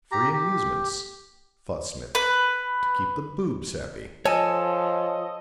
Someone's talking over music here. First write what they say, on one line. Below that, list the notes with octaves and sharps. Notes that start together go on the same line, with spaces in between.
"Free amusements," thought Smith, "to keep the boobs happy."
G4 A#5
G4
B4
F3 A4 C#5 D#5 G#5 A5